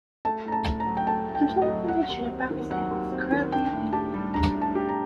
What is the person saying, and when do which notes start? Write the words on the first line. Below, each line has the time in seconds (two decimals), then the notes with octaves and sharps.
Little information about his death is currently available.
0.25 A3 A5
0.45 A2 A#5
0.52 A5
0.66 A2
0.80 A#5
0.86 F#3
0.97 G5
1.07 A3 A5
1.28 A2
1.35 G5
1.49 A2
1.62 D#5
1.68 F#3
1.88 F#3 F#5
2.09 D#2
2.29 C4
2.50 D#3
2.70 F#3 F#5
2.91 D#2
3.12 C4
3.32 D#3
3.52 D4 G5
3.73 A2
3.93 G4 A5
4.14 G3
4.34 D4 A#5
4.54 A2
4.61 A5
4.75 G4
4.89 A#5